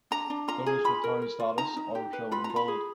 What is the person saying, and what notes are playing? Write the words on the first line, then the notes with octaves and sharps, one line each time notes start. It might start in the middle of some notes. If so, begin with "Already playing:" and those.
Those with town status are shown in bold.
D4 A#5
D4
F4 A#5
G#4
F4 B5
A#4
A#4
F4
D#4 A#5
D#4
G4
B4
F4 B5
A#5
F4
B5
G#4